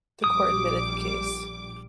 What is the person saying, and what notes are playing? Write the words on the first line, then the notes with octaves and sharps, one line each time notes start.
The court admitted the case.
A#1 G3 D6 D#6